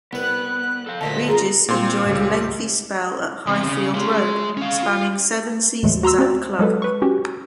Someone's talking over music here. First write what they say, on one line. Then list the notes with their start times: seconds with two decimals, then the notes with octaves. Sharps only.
Regis enjoyed a lengthy spell at Highfield Road, spanning seven seasons at the club.
0.13 C2 B3 B4 F#6
0.87 A4 F5
1.01 D2 A#2 D3 A3 D#5 A5 B6
1.28 F#2 F4 G#4 A#5
1.69 A#2 C4 C6
2.04 C#2 G3
3.47 E2 C3
3.66 C#3
3.94 G#3 C#4
4.18 G#3
4.57 C#4 F5
4.83 F4
5.83 D#2 A2 E3 F#3 G#3 A3
6.03 F#4 A#5 C6 E6
6.18 C4 C#4 F#4 C5 D5
6.59 F#3 G#3 A4 B4
6.82 B4 C#6
7.02 C#4 F#4 G4